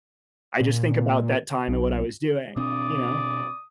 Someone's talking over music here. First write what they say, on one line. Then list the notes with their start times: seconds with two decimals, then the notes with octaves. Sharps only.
I just think about that time and what I was doing, you know?
0.60 A#2
1.68 B1
2.57 B2 C4 D4 D5 D#6
3.02 D#6